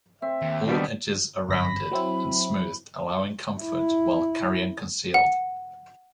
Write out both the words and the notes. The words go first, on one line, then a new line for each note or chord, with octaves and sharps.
All edges are rounded and smoothed allowing comfort while carrying concealed.
C4 E5
D#2
G3 B3 D4 D5 D#5
G1 B5 A#6 B6
F#3 C4 E4
E4
F#5